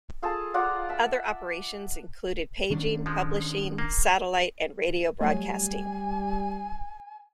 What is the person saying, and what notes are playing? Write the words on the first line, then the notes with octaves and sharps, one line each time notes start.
Other operations included paging, publishing, satellite, and radio broadcasting.
F4 G#4 A4 A5
F4 D5 F#5 A#5
E5 A5
D#3 C#4 D4
F3 G#3
A#3
F#3 G3 A3 G#5